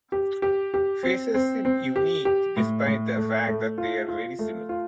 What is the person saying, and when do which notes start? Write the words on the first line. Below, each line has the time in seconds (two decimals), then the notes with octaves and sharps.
Faces seem unique despite the fact that they are very similar.
0.12 G4
0.42 G4
0.74 G4
1.03 C4
1.34 C4
1.65 C4
1.96 G4
2.25 G4
2.57 A2
2.86 A2
3.17 A3
3.47 A3
3.78 F4
4.08 F4
4.39 A3
4.69 F4